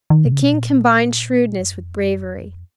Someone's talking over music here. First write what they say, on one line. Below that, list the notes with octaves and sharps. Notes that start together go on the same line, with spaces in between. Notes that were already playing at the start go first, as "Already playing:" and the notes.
The King combined shrewdness with bravery.
D#3
B2
C#3
B2
A#2
F#2
F2
F#2
F2
F#2
F2